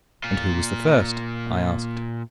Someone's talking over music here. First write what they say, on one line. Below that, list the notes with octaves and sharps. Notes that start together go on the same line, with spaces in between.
"And who was the first?" I asked.
A#2 F4